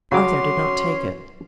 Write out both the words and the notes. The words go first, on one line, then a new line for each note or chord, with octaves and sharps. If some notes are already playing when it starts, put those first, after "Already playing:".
Arthur did not take it.
C#3 F#3 C#4 F#4 C6 D6